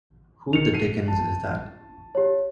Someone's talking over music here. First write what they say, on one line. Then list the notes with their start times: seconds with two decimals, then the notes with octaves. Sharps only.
Who the dickens is that?
0.53 D#3 C#7 F7
0.74 C7 D#7
1.08 A5
2.15 G4 C#5